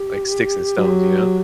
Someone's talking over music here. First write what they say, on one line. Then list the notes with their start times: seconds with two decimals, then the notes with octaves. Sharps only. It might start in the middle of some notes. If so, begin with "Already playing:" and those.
like, sticks, and stones, you know?
Already playing: G4
0.77 F#3